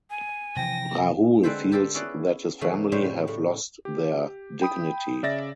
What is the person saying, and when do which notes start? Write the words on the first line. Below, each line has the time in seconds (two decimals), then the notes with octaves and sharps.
Rahul feels that his family have lost their dignity.
0.10 G#5
0.56 C3 E3 F3 G5 A#6
1.43 D3 G#3 C4 A4 B4 C5
1.72 G4 A4 A#4 C5
1.94 B3 C#4 E4 G#4 D5 F#5
2.61 C#3 E3 A3 G#4
2.92 A2 C#3 F#3 G3 D#4 C5
3.28 A2
3.85 G4
4.62 G5 B5 D#6
5.23 C#3 D5 E5 A6 A#6